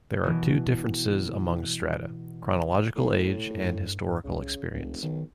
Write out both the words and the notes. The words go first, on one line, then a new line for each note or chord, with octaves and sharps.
There are two differences among strata: chronological age and historical experience.
B2 E3
A2
G2
G2
C2 C#3
F1 C#2
B1 D#3